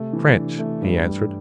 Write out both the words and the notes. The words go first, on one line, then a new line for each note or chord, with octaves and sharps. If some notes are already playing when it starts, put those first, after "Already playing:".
"Trench," he answered.
Already playing: C3 A3
E3
D4
A3
G2 G3
G3